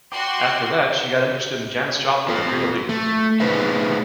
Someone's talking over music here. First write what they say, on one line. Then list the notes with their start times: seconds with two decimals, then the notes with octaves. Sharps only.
After that, she got interested in Janis Joplin and Rita Lee.
0.12 F#4 G5 C6 D6
2.29 F4 A4
2.89 A3
3.40 A3 D#4 G#4 B4 C5 E5